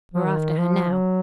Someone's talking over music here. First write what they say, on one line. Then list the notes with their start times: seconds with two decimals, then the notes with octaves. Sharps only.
We're after her now.
0.14 F3
0.26 D#3
0.58 F3
0.92 F#3